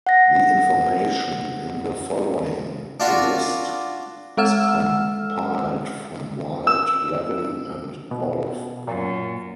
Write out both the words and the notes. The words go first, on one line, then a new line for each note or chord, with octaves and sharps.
The information in the following list is compiled from Wild, Levin, and Wolff.
F#5 A#6
D4 F4 F#4
G#3 A4 F#5 E6 F6 E7
E6
B2
F#2 A#2